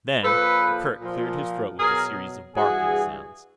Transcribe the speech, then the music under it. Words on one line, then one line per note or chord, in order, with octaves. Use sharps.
Then Gurgurk cleared his throat with a series of barking sounds.
A#2 F3 A4 B4
A#2 F3
B2 F#3 G#4 A#4
G2 E3 F#4 G#4